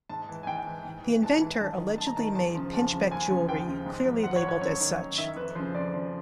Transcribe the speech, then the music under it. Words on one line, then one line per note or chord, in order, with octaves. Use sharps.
The inventor allegedly made pinchbeck jewellery clearly labelled as such.
G#2 A5
E3
G#5
G#2 G5
E3
G#2
E3
G#2 A5
E3
G2 A5
D#3
G2 A5
A#5
D#3 A5
E2 A5
C#3 F3
E2 A5
C#3 F3
D#2 G#5
C#3 F3
D#2 G5
C#3 F3
G#2
F3
G#2 F#5
C#5
F3
C#5
F#2 C#5
D#3
F#2
D#3 E5
F2 B4
C#3 F3 C5
F2 D5
C#3 F3